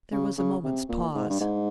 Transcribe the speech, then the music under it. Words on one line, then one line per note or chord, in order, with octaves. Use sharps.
There was a moment's pause.
C#3
C#3
C3
A#2
G#2
G2
G#2